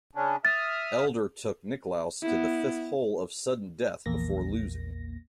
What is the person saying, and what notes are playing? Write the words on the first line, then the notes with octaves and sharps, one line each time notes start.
Elder took Nicklaus to the fifth hole of sudden death before losing.
C#3 C#4 D4
E5 D#6 F6 A6
B3 E4
A#1 E2 A#3 A#6